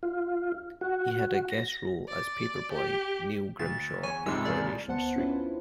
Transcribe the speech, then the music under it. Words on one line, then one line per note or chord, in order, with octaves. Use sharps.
He had a guest role as paperboy Neil Grimshaw in "Coronation Street".
F4
F#4
A#6
D5
G4
D2 A6
E2 C#5 G#5
C#2 G#2 C3 G#3 D#4 E4 A4 E6
G#4 A#4 D5 F5
D2 B3 C5 F#5 A5 C#7
C#4 D4 E4 F4 B4 C5